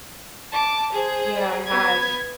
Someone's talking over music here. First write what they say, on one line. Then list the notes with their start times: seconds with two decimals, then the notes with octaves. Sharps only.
Yeah, it has.
0.52 A5 D6
0.92 G#4 C5
1.66 B3 G#6